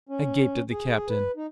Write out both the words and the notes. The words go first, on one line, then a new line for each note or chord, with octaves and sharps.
I gaped at the captain.
C#4
G#4
B4
D#4